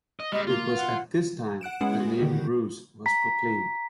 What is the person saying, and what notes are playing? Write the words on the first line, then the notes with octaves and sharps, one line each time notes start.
It was at this time the name Ruse was proclaimed.
D#5
G3 G#3 D#5
A#3 F4
F#5
F#5 F#6 D7 E7
G#3 B3 C#4 E4 G#4 F#5
F#4
D3 D#3 F#4 G4
A#5 B6